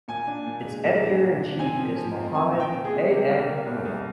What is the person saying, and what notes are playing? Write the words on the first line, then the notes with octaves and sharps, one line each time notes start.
Its editor-in-chief is Mohamed A. F. Noor.
A#2 G#5
D4
A#2
G#3
A#2
D4
A#2
D4
C4 G#5
F3
F3
C4
F3 G#5
A#2
G5
C4
G#4
G#3
C3 G4
C2
A#3
C2
C2